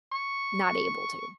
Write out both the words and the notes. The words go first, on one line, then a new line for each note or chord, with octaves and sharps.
not able to.
C#6